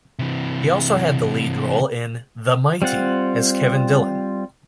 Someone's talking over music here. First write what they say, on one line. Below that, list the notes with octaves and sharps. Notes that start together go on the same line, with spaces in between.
He also had the lead role in "The Mighty" as Kevin Dillon.
C3 E3
G3 C4 F4 F#5